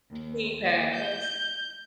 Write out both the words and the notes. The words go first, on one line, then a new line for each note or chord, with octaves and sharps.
he passed.
D#2
D#2
G6